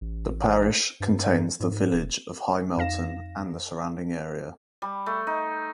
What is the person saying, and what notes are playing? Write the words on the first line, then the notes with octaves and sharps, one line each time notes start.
The parish contains the village of High Melton and the surrounding area.
A1
G2
G#2
E1
F2 D#4 F5 A#6 E7
G3
A3
D#4